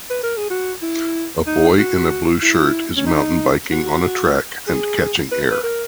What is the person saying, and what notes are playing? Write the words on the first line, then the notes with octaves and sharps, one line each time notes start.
A boy in a blue shirt is mountain biking on a track and catching air.
B4
A#4
G#4
F#4
E4
D#4
F#4
E4
C#4
D#4
F#4
G#4
B4
B4
A#4